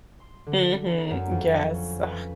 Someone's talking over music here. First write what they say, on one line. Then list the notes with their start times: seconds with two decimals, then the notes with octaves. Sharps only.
Mhm, yes, ugh,
0.20 C6
0.47 D3
0.88 A#5
1.11 F#2
1.31 F2
1.74 C#4
2.01 B4